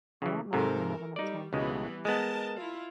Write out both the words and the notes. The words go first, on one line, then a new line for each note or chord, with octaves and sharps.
I don’t know if I have enough time for that.
C#3 E3
G#2 C3 A4 A#4
G3 D#4 D5
C#2 B2 E3 G3 G#3 B3
G#3 B3 A#4 D#5 A5
E4 F4